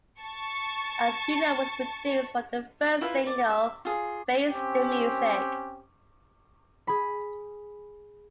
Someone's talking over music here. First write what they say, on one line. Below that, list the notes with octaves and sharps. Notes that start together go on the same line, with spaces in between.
A video was produced for the first single "Face the Music".
A5 C#6
E4 F4 B4
D5
E5
F4 G#4
C4 C#4 G4
G#4 B5